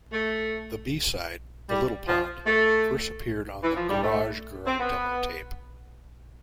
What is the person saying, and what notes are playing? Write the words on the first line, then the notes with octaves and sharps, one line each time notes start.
The B-side, "The Little Pond" first appeared on the "Garage Girl" demo-tape.
A3
G3
F3
A3
E3
F3
G3
A3
C4
B3